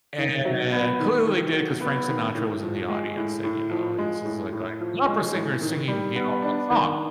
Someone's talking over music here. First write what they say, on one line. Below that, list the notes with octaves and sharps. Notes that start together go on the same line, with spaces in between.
and clearly they did it 'cause Frank Sinatra was in the audience and, you know, this was, like, an opera singer singing, you know, my song.
D#3
F#3
B3
D#3
D#3
F#3
B3
D#3
A2
F3
G#3
A2
A2
F3
G#3
A2
A2
F3
G#3
A2
D#3
G3
B3
D4
D#3